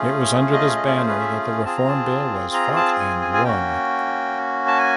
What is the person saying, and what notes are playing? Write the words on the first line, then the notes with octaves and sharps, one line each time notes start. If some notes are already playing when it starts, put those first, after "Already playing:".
It was under this banner that the Reform Bill was fought and won.
Already playing: A3 C#4 F4 G#4
D#5
D#5
D5
C5
B4
E5
C4 F4 G#4 A5
A#5
A5
A#5
A5
G#5
G#5
G#5
A#3 C#4 F#4 G5
A5
G#5